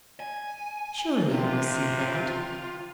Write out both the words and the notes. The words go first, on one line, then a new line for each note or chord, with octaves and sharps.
Surely you must see that.
G#5
C3 F4